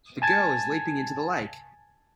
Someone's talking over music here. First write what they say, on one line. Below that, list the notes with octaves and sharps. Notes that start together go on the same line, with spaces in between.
The girl is leaping into the lake.
G#5 A5 G#6 A6